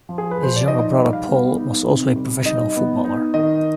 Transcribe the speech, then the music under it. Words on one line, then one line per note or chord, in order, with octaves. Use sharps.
His younger brother Paul was also a professional footballer.
F3
G#4
B4
F3 C5
D5
D#4 D#5
G3
F5
B3
D#4
C3
G3
D#4 D#5
B3
D#4
D#3 D#5